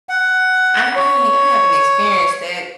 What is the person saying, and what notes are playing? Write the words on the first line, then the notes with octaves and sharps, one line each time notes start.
I I ain't I haven't experienced that.
F#5
C#5